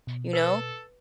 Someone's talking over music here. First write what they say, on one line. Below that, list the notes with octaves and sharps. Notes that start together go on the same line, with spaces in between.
you know?
B2
A4 B4